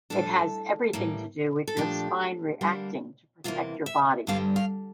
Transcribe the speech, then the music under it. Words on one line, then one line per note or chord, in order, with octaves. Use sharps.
It has everything to do with your spine reacting to protect your body.
A2 G3 D4 A4
A2 E3 G3 A#3
A4
A#2 F3 A3 D4 G4
D3 G3 A#3 D4
E2 C3 E3 A#3 F4
E5
G2 D3 G3 C4 F5
F5